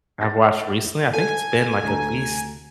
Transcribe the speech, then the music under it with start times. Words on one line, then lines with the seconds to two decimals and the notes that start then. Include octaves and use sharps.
I've watched recently, I think it's been, like, at least
0.21 A6 A#6
1.13 A4 G#5
1.83 D2 A3 A#5